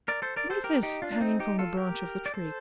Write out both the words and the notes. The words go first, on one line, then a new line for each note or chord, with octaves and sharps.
What is this hanging from the branch of the tree?
A#4 D5
A4 C5
A#4 D5
A4 C5
G4 A#4
D#4 G4
D4 F4
D4
C4 D#4
D#4 G4
F4 A4
G4 A#4
D5
A4 C5